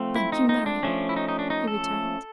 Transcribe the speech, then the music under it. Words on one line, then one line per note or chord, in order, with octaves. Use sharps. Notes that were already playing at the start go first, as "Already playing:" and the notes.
"Thank you, Mary," he returned.
Already playing: F3 A3 C4
E4
D#4
D#4
D4
F3 A3 C#4
E4
D#4
D#4
D4
D#4
A4